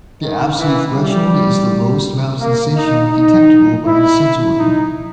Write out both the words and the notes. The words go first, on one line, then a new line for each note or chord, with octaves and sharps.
The absolute threshold is the lowest amount of sensation detectable by a sense organ.
D#3
E3
G3
A#3
D#4
D#4
E4
D#4